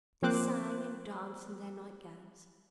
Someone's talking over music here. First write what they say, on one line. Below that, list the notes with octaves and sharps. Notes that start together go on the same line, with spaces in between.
They sang and danced in their night-gowns.
F3 A#3 C4 C5 D6 F#6